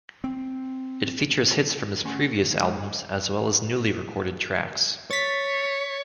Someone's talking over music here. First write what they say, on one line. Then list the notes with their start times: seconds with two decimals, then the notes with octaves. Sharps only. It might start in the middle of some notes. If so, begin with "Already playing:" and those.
It features hits from his previous albums, as well as newly recorded tracks.
0.24 C4
2.05 D2 A3 C#4 F#5 G#5 C6
2.59 G#2 G#3
5.11 C#5 A6 B6